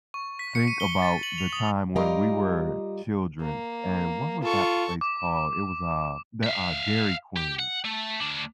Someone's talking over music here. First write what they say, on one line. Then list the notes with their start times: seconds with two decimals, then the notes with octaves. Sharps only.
think about the time when we were children, and, what was that place called? It was, uh, the uh, Dairy Queen.
0.14 C#6
0.39 B6
0.55 C#7
0.68 D#7
0.80 G7
1.02 A6
1.23 F#7
1.38 F7
1.53 D#6
1.96 G3 F4 G4 A#4 D#5 F5
3.41 A#3
4.43 F4 A4 C#6
5.01 D6
6.43 E5 F5
7.36 G4
7.59 F#5
7.85 A3
8.20 D2 D4